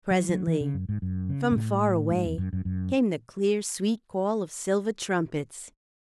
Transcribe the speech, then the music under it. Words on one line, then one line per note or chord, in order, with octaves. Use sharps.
Presently, from far away, came the clear, sweet call of silver trumpets.
F#3
F#3
E3
C#3
F#2
G#2
F#2
C#3
G#2
A2
G#2
E2
F#2
F#2
F#2